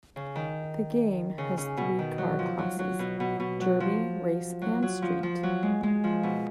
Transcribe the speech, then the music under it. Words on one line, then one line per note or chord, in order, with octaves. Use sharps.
The game has three car classes: derby, race, and street.
C#3
D#3
C#3
C#3
B2
D#3
F#3
F3
F#3
F#3
B2
B2
B2
F#3
F3
F#3
F#3
F3
F3
F#3
G#3
G#3
F3
B2